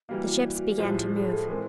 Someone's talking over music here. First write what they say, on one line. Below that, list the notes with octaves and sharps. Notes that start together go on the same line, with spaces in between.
The ships began to move.
E3 G3 A#3 F#4
F#4
F#4
G4
A2 F3 G#3
G#4
A4
E3 G#3 C4 A#4